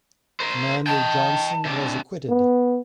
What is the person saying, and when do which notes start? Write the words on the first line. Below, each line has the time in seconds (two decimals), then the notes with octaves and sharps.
Commander Johnson was acquitted.
0.40 A#4 C5
0.87 D#5 G5 A5
1.65 C3 D4
2.29 B3